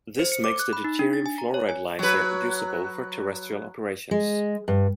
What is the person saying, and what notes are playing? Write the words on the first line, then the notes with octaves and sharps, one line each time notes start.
This makes the deuterium fluoride laser usable for terrestrial operations.
C5
C#7
D6
F#6
B5
D#4
D4
A6
G#5
A#5
C#5
G#5
F#3 B4
G#3
G2